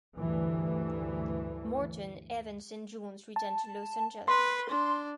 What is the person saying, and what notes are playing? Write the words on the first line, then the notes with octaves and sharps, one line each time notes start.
Morton, Evans and Jones return to Los Angeles.
D2 G2 E3
A5
B4 C6
D4